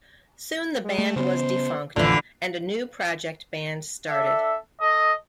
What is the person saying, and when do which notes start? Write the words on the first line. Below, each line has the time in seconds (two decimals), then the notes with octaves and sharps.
Soon the band was defunct and a new project band started.
0.84 G#3
0.98 A3
1.16 C#3 B3 C5
1.96 A1 F2 A2 D3 E3 F4
4.09 D4 A4 E5
4.80 A4 D#5